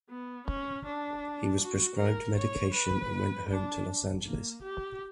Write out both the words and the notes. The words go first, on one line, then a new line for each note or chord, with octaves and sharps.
He was prescribed medication and went home to Los Angeles.
B3
C#4
D4
F#4
A#4
C#5
B4
D4
A#3
G4